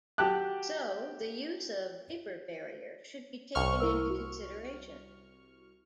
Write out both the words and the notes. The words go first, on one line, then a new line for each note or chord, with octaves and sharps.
So, the use of vapor barrier should be taken into consideration.
F#3 G4 G5 A5 D6 F#6
C2 C#6 F6
E4 A#4 E6
F#4